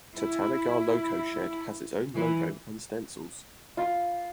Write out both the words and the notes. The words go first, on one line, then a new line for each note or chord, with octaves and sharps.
Tatanagar loco shed has its own logo and stencils.
E4
E3
F4